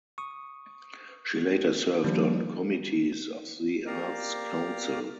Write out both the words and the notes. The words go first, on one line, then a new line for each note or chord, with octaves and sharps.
She later served on committees of the Arts council.
C#6 D#6
D#3 F3 G3 A#3 D4
A#3 G4 D5 F5 A#5